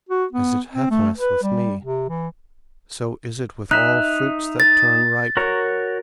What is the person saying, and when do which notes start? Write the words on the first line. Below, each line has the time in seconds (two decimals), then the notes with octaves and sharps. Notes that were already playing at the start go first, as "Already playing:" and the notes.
As it happeneth with me, so is it with all fruits that turn ripe.
0.09 F#4
0.33 B3
0.73 C4
0.90 A3
1.17 B4
1.43 G3
1.82 C3
2.09 E3
3.71 D#4 E5 F#6
4.60 A6
5.37 F#4 A#4 C#5